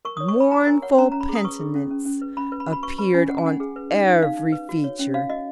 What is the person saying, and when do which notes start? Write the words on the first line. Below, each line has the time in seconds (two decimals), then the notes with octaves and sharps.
Mournful penitence appeared on every feature.
0.05 A#4 C#6
0.17 D#6
0.20 C#5
0.28 C#6
0.36 C#5 B5
0.52 F4 A#5
0.67 A#4 G#5
0.82 C#5 F#5
0.98 C#4 A#5
1.12 C#4 A#5
1.21 B5
1.29 G#4
1.35 D#6
1.44 B4 C#6
1.60 G#4
1.75 C#4
1.91 C#4
2.05 C#4
2.22 B4
2.37 C#4 B5
2.52 B4
2.60 B5
2.67 F#4
2.73 B5
2.83 B4 C#6
2.98 B4 B5
3.14 C#4 G#5
3.29 C#4 F#5
3.38 G#5
3.45 C#4 F#5
3.60 G#4
3.76 B4
3.91 D#4
4.07 D#4
4.22 D#4 F5
4.37 D#4
4.52 B4
4.69 F#4
4.84 C#5
4.99 C#4
5.14 F#4 F5
5.29 F#4 D#5